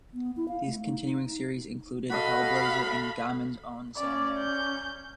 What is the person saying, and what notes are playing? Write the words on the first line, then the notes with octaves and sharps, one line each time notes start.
These continuing series' included "Hellblazer" and Gaiman's own "The Sandman".
B3
E4
F5
A3
D#4
D#4
F#4 A4 D#5 F5 B5
C#4 D5
G6